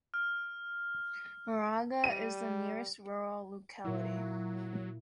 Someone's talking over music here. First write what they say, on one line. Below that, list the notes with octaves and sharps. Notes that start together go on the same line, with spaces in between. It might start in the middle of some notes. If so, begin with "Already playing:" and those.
Maraga is the nearest rural locality.
F6
G3 D#7
A#2 F#3 E4